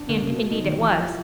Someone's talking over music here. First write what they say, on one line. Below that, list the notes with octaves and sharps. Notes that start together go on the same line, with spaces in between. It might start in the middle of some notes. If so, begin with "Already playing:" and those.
And indeed it was.
Already playing: D4
D3 A#3
C#3
B2
D#4
D#3
G4
E3
F3 E4